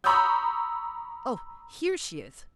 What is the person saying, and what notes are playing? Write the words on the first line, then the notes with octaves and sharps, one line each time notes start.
Oh! here she is!
A#5 B5 C#6 D#6 E6 G6